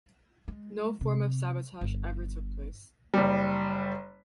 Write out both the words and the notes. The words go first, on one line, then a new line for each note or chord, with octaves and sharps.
No form of sabotage ever took place.
G#3
C3
G1
F#1 G3